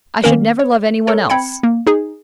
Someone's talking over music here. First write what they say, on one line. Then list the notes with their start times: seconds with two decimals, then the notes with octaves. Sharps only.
"I should never love any one else."
0.24 D#3 A#3 C#4 A#4
0.59 C#5
1.07 A4 A#4 C#5
1.30 C4 G5 B5 G#6 C#7
1.63 A#3
1.87 D#4 G#4